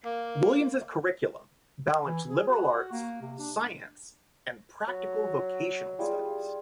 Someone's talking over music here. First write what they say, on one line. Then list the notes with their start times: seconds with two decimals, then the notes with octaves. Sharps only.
Williams' curriculum balanced liberal arts, science and practical vocational studies.
0.05 A#3
2.05 E3
2.27 G#4
2.47 F#4
2.61 F#4
2.91 A#3
3.21 C3
3.39 D4
4.88 F#3
5.99 G3 F4 G#4